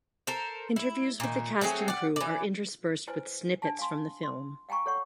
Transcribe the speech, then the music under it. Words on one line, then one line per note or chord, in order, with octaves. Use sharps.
Interviews with the cast and crew are interspersed with snippets from the film.
A4 A#4 C5
E4
A#2 D#3
F#3 A3 C4 G#4
D5 F#5
E3 D5
E4 B4 C5 G#5
D4 G#5 A5
F5 G#5 C6
C6
F5 G5 G#5 A#5 C#6
A4 C#5 F#5 C#6